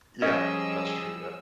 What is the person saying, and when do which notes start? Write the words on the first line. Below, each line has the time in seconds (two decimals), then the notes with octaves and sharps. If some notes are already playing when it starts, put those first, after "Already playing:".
Yeah. That's true. Yeah.
0.22 F3 G3 C#4 G#4 D#5 E6